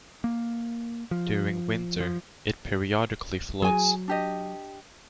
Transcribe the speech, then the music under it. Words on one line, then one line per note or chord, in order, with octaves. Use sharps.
During winter it periodically floods.
A#3
F3
F3
F#3 G#4 G#5
D4 G4 D#5